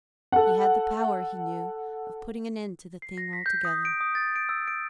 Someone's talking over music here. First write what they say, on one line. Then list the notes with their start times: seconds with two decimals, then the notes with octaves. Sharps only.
He had the power, he knew, of putting an end to the thing altogether.
0.32 A4 F#5
3.02 C7
3.18 A#6
3.33 B6
3.46 G6
3.65 D#6
3.85 D7
4.01 D#6
4.15 A6
4.36 D7
4.49 E6
4.67 D7